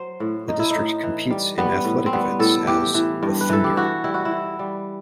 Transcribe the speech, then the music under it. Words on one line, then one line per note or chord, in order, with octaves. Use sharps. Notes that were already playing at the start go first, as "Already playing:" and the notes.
The district competes in athletic events as the Thunder.
Already playing: F#3 C5
A2
A2 D#4
E4
A2 D#4
E3
G3
G3 B3
A2
C4
G3 B3
A2 A4
E3 G4
E3
G2
B4
E3 A4
G4
E3 F#4
G3 E4
F#4
E4
E3
G3